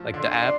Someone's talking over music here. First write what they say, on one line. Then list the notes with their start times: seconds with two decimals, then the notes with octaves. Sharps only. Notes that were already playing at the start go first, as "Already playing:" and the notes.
like the app
Already playing: F3 A3
0.13 D3 C6
0.42 D4